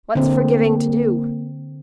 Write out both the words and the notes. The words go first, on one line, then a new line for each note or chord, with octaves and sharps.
What's forgiving to do?
D3 A#3 C4